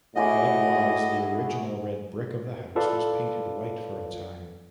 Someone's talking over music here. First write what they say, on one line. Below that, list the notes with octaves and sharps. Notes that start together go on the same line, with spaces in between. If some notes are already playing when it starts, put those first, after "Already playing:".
Likewise, the original red brick of the house was painted white for a time.
A2 E4 F#4 G#4 D#5 F#5 G#5 D6
E4 F4 A4 B4 D5 F5